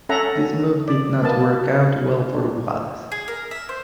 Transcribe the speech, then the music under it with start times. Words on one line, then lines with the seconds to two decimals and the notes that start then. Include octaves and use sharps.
This move did not work out well for Wallace.
0.09 C#4 A4 E5 F#5 A#5
0.88 D5
1.23 A#3 B3 A5
2.33 D4
3.12 G#4
3.28 A#4
3.51 E5
3.69 C5